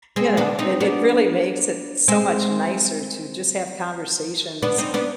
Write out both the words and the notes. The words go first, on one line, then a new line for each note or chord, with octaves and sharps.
you know, it it really makes it so much nicer to just have conversations,
G#3 C4
B3 D4
C4 D#4
B3 D4
G#3 C4
B3 D4
C4 D#4
B3 D4